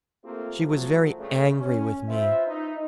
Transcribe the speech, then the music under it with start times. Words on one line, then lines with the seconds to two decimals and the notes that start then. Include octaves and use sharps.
She was very angry with me.
0.25 A3 A#3 C4 F4 G4 A4
0.58 F3 F#3 A3
1.18 G2 C#3 A3
1.58 C#4
2.08 F4 B4 C5 E5
2.47 D#4